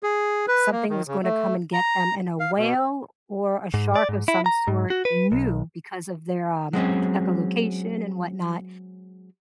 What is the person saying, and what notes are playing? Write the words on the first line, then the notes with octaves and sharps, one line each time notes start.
Something was gonna come and get them, and a whale or a shark of some sort knew because of their, um, echolocation and whatnot,
G#4
B4
A#3
D#3
C#3
A3
A#5
F5
B2
G#2
D5
G#2
E4
A#5
G#2
F#4
B4
B1
F#3 G#3 C4 C#4